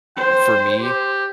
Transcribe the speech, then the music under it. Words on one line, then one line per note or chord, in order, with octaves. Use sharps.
For me
C5 G5
G4